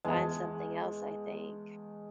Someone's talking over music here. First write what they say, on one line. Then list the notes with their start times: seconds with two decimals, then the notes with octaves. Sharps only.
find something else, I think.
0.05 E2 G#3 A5